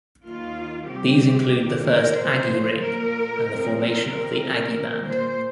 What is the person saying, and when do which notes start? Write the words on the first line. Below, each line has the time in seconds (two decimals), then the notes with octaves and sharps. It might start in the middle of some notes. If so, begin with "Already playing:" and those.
These include the first Aggie Ring and the formation of the Aggie Band.
0.24 D#2 D#3 A#3 F4
0.88 C3 G3 C4 G4
1.52 D#2 D#3 A#3
1.85 A#4
2.16 A#2 F3 A#3 C5
2.81 A#2 A#3 A#4
3.45 F2 F3 C4
3.77 A#4
4.09 C3 F3 C4 A#4
4.73 A#2 A#3
5.05 C5